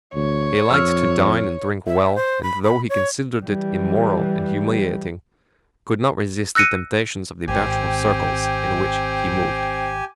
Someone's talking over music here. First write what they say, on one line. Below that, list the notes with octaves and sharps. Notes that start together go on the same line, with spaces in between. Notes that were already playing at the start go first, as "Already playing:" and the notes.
He liked to dine and drink well, and though he considered it immoral and humiliating could not resist the temptations of the bachelor circles in which he moved.
D2 C#5
F2 E6 F6
E5
C5
B5
B5
C#5
E3 G3
E6 F#6 A#6 C#7 D#7
G#1 C4 G4 G#5